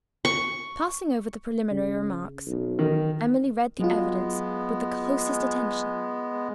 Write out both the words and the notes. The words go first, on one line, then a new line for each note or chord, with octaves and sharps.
Passing over the preliminary remarks, Emily read the evidence with the closest attention.
C#6
C#3
B1
D#3
F#3 G#3 B3 F4